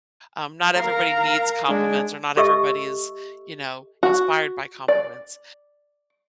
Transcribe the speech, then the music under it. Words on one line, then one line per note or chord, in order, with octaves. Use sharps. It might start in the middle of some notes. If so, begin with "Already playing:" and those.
um, not everybody needs compliments or not everybody is, you know, inspired by compliments,
A#4 F5 A#5
G#3 D4
G4 A4 D#5 E5 C#6 E6
F#4
D5